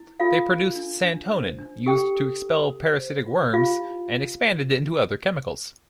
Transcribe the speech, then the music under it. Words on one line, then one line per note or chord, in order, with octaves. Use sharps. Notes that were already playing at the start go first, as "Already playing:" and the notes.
They produced santonin, used to expel parasitic worms, and expanded into other chemicals.
Already playing: E4
F4 A4 F5
D4
D4
D4
C5
D4
G4 A4 G5
A4
A4
A4
C5
F4
F4 G4 F5
E4